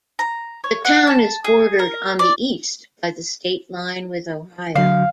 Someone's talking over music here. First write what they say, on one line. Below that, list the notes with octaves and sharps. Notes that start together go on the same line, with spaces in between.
The town is bordered on the east by the state line with Ohio.
A#5
C#5
F#5
A5
G#4
A#4
D5
D3 F#3 F5